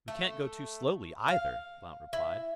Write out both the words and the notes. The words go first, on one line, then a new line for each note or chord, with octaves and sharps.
"We can't go too slowly, either," Blount replied.
A3
F5
E4